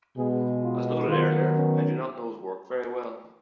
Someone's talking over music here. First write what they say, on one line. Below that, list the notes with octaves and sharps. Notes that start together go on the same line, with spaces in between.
As noted earlier, I do not know his work very well.
B2 G#3 B3 G#4
F4
D#3 F#3 B3 F4
C#4